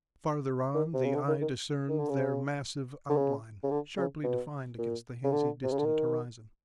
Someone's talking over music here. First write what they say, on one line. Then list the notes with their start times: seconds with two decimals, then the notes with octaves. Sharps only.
Farther on the eye discerned their massive outline sharply defined against the hazy distant horizon.
0.74 D#3
0.94 C3
1.04 C#3
1.14 D3
1.28 D#3
1.42 D#3
1.89 D#3
1.99 D3
2.09 C#3
3.09 D3
3.16 C#3
3.63 C#3
3.70 D3
3.97 C#3
4.24 B2
4.79 A#2
5.24 C#3
5.32 D3
5.63 C3
5.71 C#3
5.78 D3
5.85 D#3